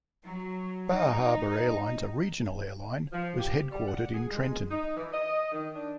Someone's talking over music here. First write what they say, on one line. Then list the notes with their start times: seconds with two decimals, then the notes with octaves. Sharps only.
Bar Harbor Airlines, a regional airline, was headquartered in Trenton.
0.24 F#3
0.90 D#4
3.13 F3
3.40 G4
3.72 G3
3.87 F#5
4.14 G#4
4.32 G#3
4.71 D#4
4.97 E3
5.13 D#5
5.52 D#3
5.76 D4